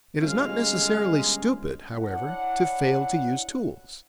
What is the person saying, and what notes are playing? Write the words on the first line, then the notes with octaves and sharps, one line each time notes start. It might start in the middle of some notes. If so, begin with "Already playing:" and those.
It is not necessarily stupid however, to fail to use tools.
G1 G#3 C#4 F5
D4 E4 C#5 F#5